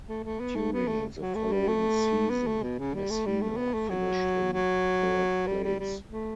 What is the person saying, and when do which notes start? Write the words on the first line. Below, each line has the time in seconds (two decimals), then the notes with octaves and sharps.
During the following season, Messina finished in third place.
0.09 A3
0.24 A3
0.40 B3
0.56 A3
0.73 B3
0.88 A3
1.20 F#3
1.35 A3
1.52 G3
1.68 A3
2.30 B3
2.47 A3
2.63 B2
2.79 C#3
2.95 G3
3.10 A3
3.26 G3
3.41 A3
3.57 B3
3.74 A3
3.89 F#3
4.53 F#3
5.47 G3
5.63 G3
5.79 G3
6.11 A3